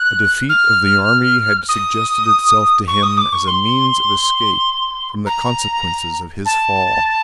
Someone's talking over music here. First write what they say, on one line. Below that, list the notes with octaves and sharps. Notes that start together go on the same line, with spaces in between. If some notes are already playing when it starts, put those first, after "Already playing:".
A defeat of the army had suggested itself to him as a means of escape from the consequences of his fall.
Already playing: F#6
F6
D#6
C#6
D#6
D6
C#6
C6
A#5
A5